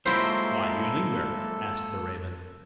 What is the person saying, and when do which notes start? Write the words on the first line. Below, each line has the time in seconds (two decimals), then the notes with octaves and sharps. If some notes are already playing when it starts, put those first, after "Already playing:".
"Why do you linger?" asked the raven.
0.06 F#3 G#3 A#3 E4 F4 A4 C5 E5